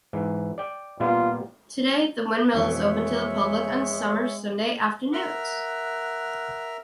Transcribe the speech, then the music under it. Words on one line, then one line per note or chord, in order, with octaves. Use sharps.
Today the windmill is open to the public on Summer Sunday afternoons.
G#2 E3
D5 G5
A#2 G3 B3 F4
F2 B2 E3 G#3 C#5 E5
A#4 E5 F#5 F6